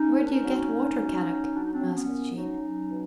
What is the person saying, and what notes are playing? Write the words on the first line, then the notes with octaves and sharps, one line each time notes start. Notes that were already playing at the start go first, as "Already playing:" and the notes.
"Where do you get water, Kadok?" asked Jean.
Already playing: C#4 D#4
A#2
D4
C#4 D#4
F#3
A#2
F#3
F#3
F#3 D4
D#4
C4 D4
F#3
B3 C#4
A#2
F#3 C#4 D#4
F#3
B2